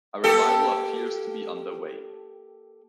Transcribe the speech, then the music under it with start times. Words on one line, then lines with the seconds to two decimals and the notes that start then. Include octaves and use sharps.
A revival appears to be underway.
0.24 A#3 G4 A4